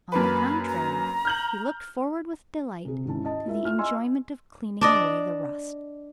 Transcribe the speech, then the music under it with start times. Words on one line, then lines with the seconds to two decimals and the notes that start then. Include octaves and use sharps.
On the contrary, he looked forward with delight to the enjoyment of cleaning away the rust.
0.12 F#2 A#3 B4 B5
0.68 A#5
1.25 F6 G6 F#7
2.85 C3 G#4
3.05 G#2 D#3 C#4 E4 A5
3.25 D#5 A5
3.45 E4 F4 A#4 E5
3.63 F4 F6
3.78 D#5 G#5 C6 E6
4.81 D4 D5 D#5